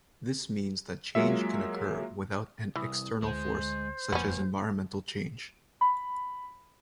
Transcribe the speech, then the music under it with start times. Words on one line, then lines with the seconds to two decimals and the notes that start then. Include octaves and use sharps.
This means that change can occur without an external force such as environmental change.
1.15 F#3 G#3 A#3 F4 E5
2.76 C2 E3 D#6
3.22 D2 G#3 C5
4.12 F#1 F2 G#2 F3 A#3 B3 C#4
5.81 B5